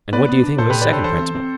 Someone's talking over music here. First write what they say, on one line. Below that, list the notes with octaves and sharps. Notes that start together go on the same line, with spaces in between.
And what do you think of a second principle?
B3 B4 D5
B3
D4
A2 A4 C5
A2 G4 B4
B4 D5
D4 A4 C5
E3 A4 C5
C4
C4